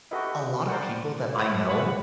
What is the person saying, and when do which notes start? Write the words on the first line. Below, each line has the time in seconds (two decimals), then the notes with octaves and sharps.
A lot of people that I know,
0.11 F#4 G4 A4 B4 D#5 E5
0.68 A#4 C5 D5 F#5 G5
1.36 E4 F#4 B4 A5 D#6
1.66 F#4 B4 F#5 B5 C#6